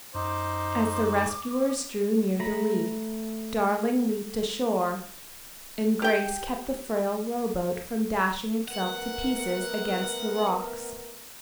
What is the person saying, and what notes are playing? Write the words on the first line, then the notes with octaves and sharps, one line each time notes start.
As the rescuers drew near the reef, Darling leaped ashore, and Grace kept the frail rowboat from dashing itself to pieces against the rocks.
F#2 D#4 C5 D6
A3 A#5 B5
G4 G5
A3 B3 A#4 F#5